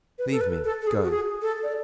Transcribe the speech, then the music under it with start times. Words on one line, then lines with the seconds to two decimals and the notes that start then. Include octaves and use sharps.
"Leave me--go!"
0.19 B4
0.32 A4
0.41 B4
0.64 A4
0.82 A4
0.87 G#4
1.03 F#4
1.11 G#4
1.42 A4
1.63 D5